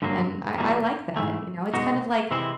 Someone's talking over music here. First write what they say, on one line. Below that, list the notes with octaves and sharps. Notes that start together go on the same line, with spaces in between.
and I I like that, you know? It's kind of like
G2 D3 F#3 A#3
E2 B2 G3 A#3
G#2 E3 A3
B2 G#3 B3 D#4 F#4
C3 E3 G#3 C4 E4